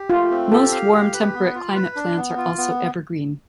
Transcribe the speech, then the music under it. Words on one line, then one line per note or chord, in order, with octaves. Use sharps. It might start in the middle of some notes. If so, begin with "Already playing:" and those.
Most warm temperate climate plants are also evergreen.
Already playing: G4
A3 F4
C4
G4 A4
F5
G4
B4
B3
F4
B4
D4
B3
F4
B3